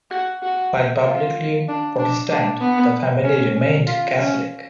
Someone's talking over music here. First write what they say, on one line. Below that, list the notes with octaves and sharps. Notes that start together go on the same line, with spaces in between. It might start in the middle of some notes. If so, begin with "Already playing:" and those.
While publicly Protestant, the family remained Catholic.
F#4
F#4
F4
D4
D4
D4
B3
C#4
C#4
F4
C#4